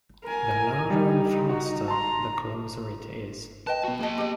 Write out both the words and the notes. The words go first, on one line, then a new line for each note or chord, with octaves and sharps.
The louder and faster, the closer it is.
A#4 G#5
G3 D#4
F#4 F#5
A5 A#5 C6
B4 D#5 G5 A5
B3 F#4
A#3 G#4 D#5 A5
G4 D#5